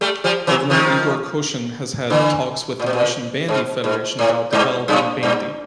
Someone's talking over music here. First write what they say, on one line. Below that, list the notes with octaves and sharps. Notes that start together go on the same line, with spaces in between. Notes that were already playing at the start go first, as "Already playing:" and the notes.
Governor Igor Koshin has had talks with the Russian Bandy Federation about developing bandy.
G3 A3
F3 G3
E3 F#3
D#3 F3
D3 E3
A#2
B2
A#2
G#2
G#2
A2
G2
F#2
G2